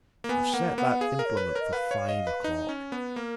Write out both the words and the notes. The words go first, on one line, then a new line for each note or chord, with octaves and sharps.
I've set that implement for five o'clock.
A#3
B3 G#5
A#3 F#5
B3 F#5
G#4 F5
A#4
C#5
B4
C#5
A#4 D#5
B4 F5 F#5
C#5
D#5
B4
D#4
C#4
B3 B4
A#3 A#4